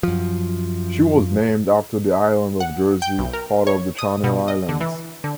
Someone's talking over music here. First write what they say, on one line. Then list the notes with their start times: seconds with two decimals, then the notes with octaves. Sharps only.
She was named after the island of Jersey, part of the Channel Islands.
0.03 F#2 F3
2.60 F#5
3.02 G5
3.18 B1
3.33 A#4
3.67 C#5
3.98 D#6
4.24 B2
4.48 D#5
4.69 D3
4.80 E3
5.24 D3